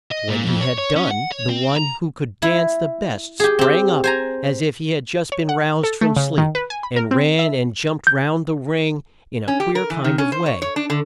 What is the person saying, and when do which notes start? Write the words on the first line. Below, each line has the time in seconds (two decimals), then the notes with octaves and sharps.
When he had done, the one who could dance the best sprang up as if he had just been roused from sleep, and ran and jumped round the ring in a queer kind of way.
0.11 D#5
0.28 A#2
0.43 F2
0.61 C#5
0.78 C#5
0.96 C#4
1.11 F#5
1.31 C#5
1.49 C4
1.76 A#5
2.42 E4
3.40 G4 G#4
3.59 C4 G4
4.04 C5 G#5 A#5
5.32 C#5
5.49 F#5
5.83 A4
6.01 A3
6.16 C#3
6.38 D#3
6.55 B4
6.70 G#5
6.83 B5
6.96 A#4
7.11 C4
7.39 E5
8.07 G6
9.48 C#4
9.60 G4
9.75 A#4
9.90 E3
10.04 D#3
10.18 C#4
10.32 C5
10.46 C#5
10.62 C#5
10.76 D4
10.90 D3